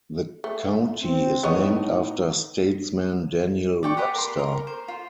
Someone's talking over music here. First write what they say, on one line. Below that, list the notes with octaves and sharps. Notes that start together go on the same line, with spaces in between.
The county is named after statesman Daniel Webster.
A3
C4
A2 B3 D#4 C#5 D#5
D5 G5 C#6
G4 B4 F#5
A#4 C6
A#4
C5
F4